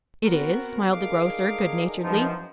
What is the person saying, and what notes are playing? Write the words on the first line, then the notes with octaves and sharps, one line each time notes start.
"It is," smiled the grocer, good-naturedly.
B3 C4 F#4 A#4
D3 D#4 G#4 A#4 F5 D6
F#2 E3 F3 G#3 B3 D#4